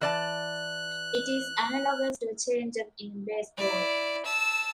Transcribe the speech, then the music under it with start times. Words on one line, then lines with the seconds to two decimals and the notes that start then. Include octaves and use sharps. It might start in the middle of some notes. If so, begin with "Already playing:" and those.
It is analogous to a changeup in baseball.
0.01 E3 D5 A5 F#6
3.58 E4 D5
4.25 A5 E6